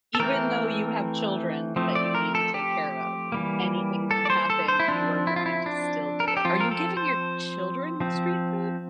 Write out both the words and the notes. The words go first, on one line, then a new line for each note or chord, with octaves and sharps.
Even though you have children that you need to take care of, and anything could happen, you are going to still do it. Are you giving your children street food?
A4
E3 A3 C4 A#4
F3 A3 C4
D5
A#4
A4
G4
E3 G3 A#3
A4
D5
C5
A4
C5
E4
F3 C4 D4
E4
F4
E4
D4
A#4
A4
G4
F3 C4 F4
A#4
A4
C5
F3 C4